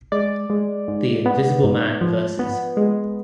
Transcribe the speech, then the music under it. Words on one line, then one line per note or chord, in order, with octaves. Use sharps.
The Invisible Man vs.
G#3 D5
G#3
G#2
B3
G#2
F3
B3
G#3